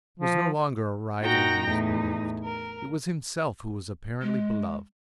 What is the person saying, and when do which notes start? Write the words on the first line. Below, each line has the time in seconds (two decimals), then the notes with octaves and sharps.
It was no longer a rival who was beloved; it was himself who was apparently beloved.
0.20 F3
1.22 A#2 D#4 F#4 G5 A#5 A#6
1.65 E2 A2 D#4
2.44 A#4
4.22 G#3